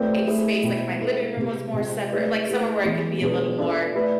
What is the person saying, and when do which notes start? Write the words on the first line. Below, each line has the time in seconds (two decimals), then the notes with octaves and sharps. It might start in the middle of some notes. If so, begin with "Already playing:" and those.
a space, like, my living room was more separate like, somewhere where I could be a little more
Already playing: A3 C4 F4 B4 D5
0.27 A3 E4 G#4 C5
0.63 B2 G#3 C4 E4
1.00 G#3 C4 E4 A4 C5
1.36 C3 G#3 B3
1.73 C3 G#3 C4 F4
2.10 A3 E4 G#4 B4 D5
2.47 A3 E4 G#4 B4
2.84 E3 G#3 B3 E4 G#4
3.20 B2 B3 D4 G#4 B4
3.58 B3 D4 F4 A4 D5
3.94 A3 E4 B4 D5